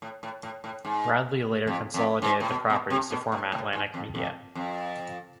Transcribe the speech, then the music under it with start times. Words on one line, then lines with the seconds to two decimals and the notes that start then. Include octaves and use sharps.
Bradley later consolidated the properties to form Atlantic Media.
0.02 A2
0.23 A2
0.43 A2
0.64 A2
0.85 G#2
1.67 F2
1.94 F2
2.22 G#2
2.40 A2
2.49 B2
2.70 B2
2.90 C3
3.11 B2
3.32 A2
3.52 A2
3.73 G#2
3.94 F2
4.15 F2
4.55 F2